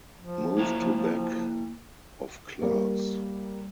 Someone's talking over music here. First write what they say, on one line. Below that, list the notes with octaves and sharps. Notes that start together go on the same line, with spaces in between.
Moved to back of class.
F3
A#3 E4 A#5
G3 A#3